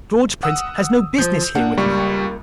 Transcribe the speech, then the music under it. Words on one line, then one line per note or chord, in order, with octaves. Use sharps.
George Prince has no business here with me!
F#5 D#6 E6
F3 G6
A#3 D4 F#5
C#2 G3 C#6